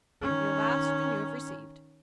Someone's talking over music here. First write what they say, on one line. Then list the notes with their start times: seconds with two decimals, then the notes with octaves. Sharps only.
You have asked, and you have received.
0.21 D#3 C#4